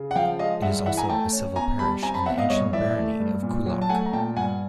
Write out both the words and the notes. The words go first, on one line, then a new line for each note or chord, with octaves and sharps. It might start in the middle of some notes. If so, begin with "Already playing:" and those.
It is also a civil parish in the ancient barony of Coolock.
Already playing: C#3
F#5
F3 F5 G5
G#3 D#5 F5
G2 E5 F#5
E3 E5 F#5
G#5 A#5
A3 G5 A5
C#4
B2 G#5 A#5
G3 A5 B5
C4 G#5 A#5
A5 B5
B2 E5 F#5
D#5 F5
G2 C#5 D#5
E3 D5 E5
A3
G2
A#2
F#3
A5
A3 F#5 G#5
A#5
A#2 G5 A5
G2 F#5 G#5